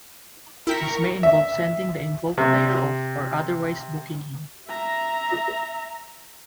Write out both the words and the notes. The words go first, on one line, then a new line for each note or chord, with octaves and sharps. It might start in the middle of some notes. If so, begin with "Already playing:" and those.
This may involve sending the involved player off or otherwise booking him.
E4 A#4 G5 A#5 C#6 B6
E5
C3
E5 A#5